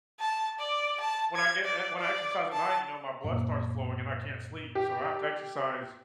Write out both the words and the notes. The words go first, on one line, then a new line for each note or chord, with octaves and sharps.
When I get uh, when I exercise at night, you know, my blood starts flowing and I can't sleep, so, I have to exercise
A5
D5
A5
G#6
D5
D5
A5
F#2 A#2 A#3
G4